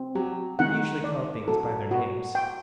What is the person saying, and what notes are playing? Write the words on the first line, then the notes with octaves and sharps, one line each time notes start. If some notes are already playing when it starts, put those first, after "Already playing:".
"I usually call things by their names."
Already playing: C4
F#3 G4
D#3 F#5
D5
F#3 A4
F#4
G5